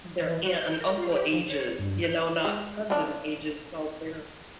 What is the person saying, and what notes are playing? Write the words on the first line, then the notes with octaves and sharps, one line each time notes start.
their aunt and uncle ages, you know, not cousin ages, so they're
E3
F#4
G6
A#4
F4
G4
F3
C#5
G2
G6
G#3
C#3 D4